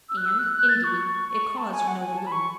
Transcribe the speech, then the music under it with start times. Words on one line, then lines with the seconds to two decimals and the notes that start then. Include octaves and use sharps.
And, indeed, it caused no gloom.
0.09 E6
0.17 F#6
0.25 E6
0.39 F#6
0.53 F#6
0.69 A6
0.84 C#6
1.29 C#6
1.57 A5
1.72 G#5
1.88 F#5
2.02 G#5
2.17 A5
2.27 B5
2.32 C#6